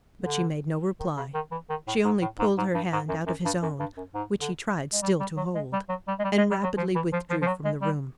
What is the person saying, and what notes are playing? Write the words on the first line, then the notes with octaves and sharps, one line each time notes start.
But she made no reply; she only pulled her hand out of his own, which he tried still to hold, and rapidly withdrew from the room.
D3
D#3
C#3
D#3
E3
D#3
A2
G#2
A2
G#2
G#2
G2
G#2
F#2
F#2
G2
F#2
G2
F#2
G#2
D3
G#3
G3
G3
F#3
G#3
G3
F#3
G3
G#3
G3
G#3
G3
F#3
F3
E3
F3
F3
F3
F#3
G#3
G3